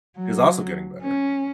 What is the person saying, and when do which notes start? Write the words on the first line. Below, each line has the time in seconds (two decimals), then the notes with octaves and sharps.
is also getting better.
0.18 F#3
1.02 C#4